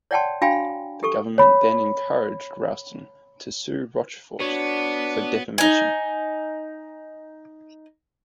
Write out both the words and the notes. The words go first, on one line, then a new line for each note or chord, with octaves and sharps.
The government then encouraged Roustan to sue Rochefort for defamation.
C#5 D5 F#5 G5 A5 C6
D4 F#4 F5 G5 G#5 B5
G4 A4 C#6
C#5 B5
B3 D4 F#4 C#5
D#4 G#5